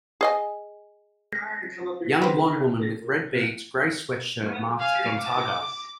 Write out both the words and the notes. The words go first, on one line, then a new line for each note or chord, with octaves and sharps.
Young blond woman with red beads, gray sweatshirt marked GONTAGA.
G#4 D#5 G#5
B3 C4
F5 G#5
D6